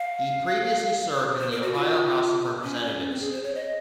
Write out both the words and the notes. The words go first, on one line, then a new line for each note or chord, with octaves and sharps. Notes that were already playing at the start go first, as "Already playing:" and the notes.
He previously served in the Ohio House of Representatives.
Already playing: F5
C5
A#4
F#4
F4
C#4
C#4
C4
G#4
C5
C#5
D#5